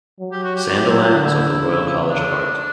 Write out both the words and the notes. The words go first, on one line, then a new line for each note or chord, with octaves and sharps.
Sandilands of the Royal College of Art.
F#3
G4
F#4
G4
F#3 G4
G4
E4
E4
D3 E4
C#3
D4